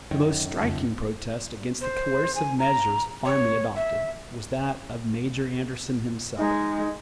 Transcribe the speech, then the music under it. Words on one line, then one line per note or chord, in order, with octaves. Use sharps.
But the most striking protest against the coercive measures finally adopted was that of Major Anderson himself.
F#2 D#3
F2 C#3
C5
G#5
A#5
C#5
E5
G#3 D#4